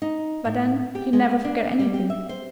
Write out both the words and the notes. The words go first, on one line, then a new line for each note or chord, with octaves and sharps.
But then you never forget anything.
D#4
A2
G4
G#3
D4
G3
G4
E5
C5